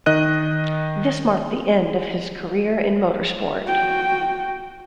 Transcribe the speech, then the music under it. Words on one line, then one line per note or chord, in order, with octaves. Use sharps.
This marked the end of his career in motor sport.
D#3 D#5 F#6 D#7
F#4 G5